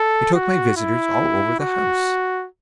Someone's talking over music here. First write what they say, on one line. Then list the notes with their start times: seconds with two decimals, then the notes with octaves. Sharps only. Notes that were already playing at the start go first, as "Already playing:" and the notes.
I took my visitors all over the house.
Already playing: A4
0.34 F#4
0.76 E4
1.60 F#4